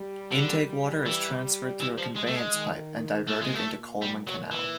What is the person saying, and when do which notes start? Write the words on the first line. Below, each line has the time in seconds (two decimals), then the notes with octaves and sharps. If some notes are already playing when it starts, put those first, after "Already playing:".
Intake water is transferred through a conveyance pipe and diverted into Coleman Canal.
Already playing: G3
0.31 D3
1.06 E3
1.80 E3
1.98 F3
2.16 G#3
2.27 A3
2.36 G#3
2.54 D#3
3.28 A#2 A3
3.42 G#3
3.55 A3
3.65 A#2
4.02 G3
4.27 F#3
4.51 E3